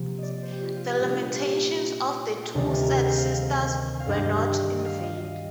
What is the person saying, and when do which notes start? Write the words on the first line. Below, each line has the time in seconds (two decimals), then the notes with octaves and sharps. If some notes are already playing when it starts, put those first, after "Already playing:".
The lamentations of the two sad sisters were not in vain.
Already playing: C3 F3 A#3
0.18 D5 D#5
0.32 D5
0.43 C5
0.52 G4
0.62 F4
0.69 G4
0.76 F4
0.99 A#2 G3 A#3 D4 G4
1.12 F4
1.19 G4
1.39 F4
2.54 D2 C3 D#3 G3 C4
2.81 A#4
2.92 G#4
3.06 C5
3.18 F5
4.00 F5
4.06 G2 D#3 G3 D4 G5
4.80 D#5
4.86 F5
5.04 D#5
5.17 F5
5.25 D#5